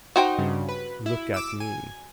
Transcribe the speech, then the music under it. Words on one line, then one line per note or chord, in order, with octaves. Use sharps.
Look at me.
D#4 F#4 C5 G5
G2 C#3
B4
E4
D6 E6
G#5